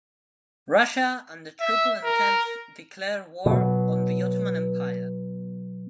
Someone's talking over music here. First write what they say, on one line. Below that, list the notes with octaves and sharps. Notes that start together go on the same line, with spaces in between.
Russia and the Triple Entente declared war on the Ottoman Empire.
E5
A#4
B2 F#3